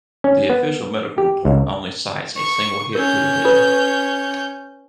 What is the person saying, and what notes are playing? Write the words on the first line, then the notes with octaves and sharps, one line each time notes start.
The official medical report only cites a single hit to the head.
C#4
B3
G4
C#2
C#6
C#4 A#4 G6
F4 A4 B4